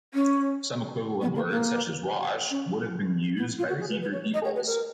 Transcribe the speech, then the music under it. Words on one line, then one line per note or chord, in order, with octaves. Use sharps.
Some equivalent word, such as "wash", would have been used by the Hebrew peoples.
C#4
B3
A#3
A#3
C#4
B3
F4
F#4
G#4
B4
B4
C#5
D#5
C#5
B4
A#4